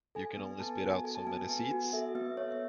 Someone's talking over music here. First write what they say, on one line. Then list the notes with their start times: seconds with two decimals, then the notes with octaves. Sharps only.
You can only spit out so many seeds.
0.15 A4 G#5
0.37 B3
0.51 G#5
0.60 B3 A5
0.83 F#4
1.04 A4 G#5
1.15 A5
1.27 B3 G#5
1.49 B3
1.71 F#4
1.93 A4 E5
2.15 B3 E5
2.37 B3 C#5
2.51 E5